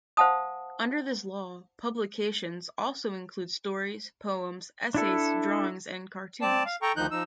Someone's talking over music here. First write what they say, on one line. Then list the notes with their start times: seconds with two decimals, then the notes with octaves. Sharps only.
Under this law, 'publications' also include stories, poems, essays, drawings and cartoons.
0.17 C5 F5 F#5 A5 D#6
4.94 D4 E4 A4
6.42 C4 D5 A5
6.66 F5
6.82 A4 G5 A#5 C#6
6.96 D2 D#3 F3 D#4 F#6 G6
7.11 F3 D#4 E6